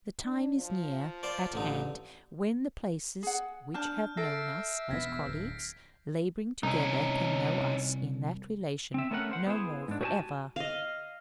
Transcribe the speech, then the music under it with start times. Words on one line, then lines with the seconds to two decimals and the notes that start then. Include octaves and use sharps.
The time is near at hand when the places which have known us as colleagues laboring together can know us in that relation no more for ever.
0.24 D4
0.56 F3
1.23 F4 C5 D5
1.53 A1 D3 D#4
3.23 G#4 F#5
3.74 D4 A5 F6 G6
4.17 A4 E5 A#6 C7 D7
4.90 E1 B3 G#6 A#6 B6
5.26 D1
6.63 C2 C#4 D#4
8.94 C4 E5
9.11 A3 B3 C#4 A#4 D#5 F#5
9.31 C5 F#5
9.47 B3 E4 G#4 C5
9.88 G#2 D4
10.01 F#4 G4 B4 D#5 G#5 A5
10.56 D#5 F5